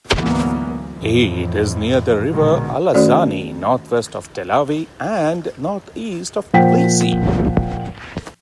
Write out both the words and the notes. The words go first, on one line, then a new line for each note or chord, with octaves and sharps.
It is near the river Alazani, northwest of Telavi and northeast of Tbilisi.
D2 G#2 E3 F#3 A#3 B3
F2 A2 E3
A#1 B2 D3 D#3 G#3
D#3 A3 C#4 F#4 A4 D5
A#2 F3 C5 F#5 G5 B6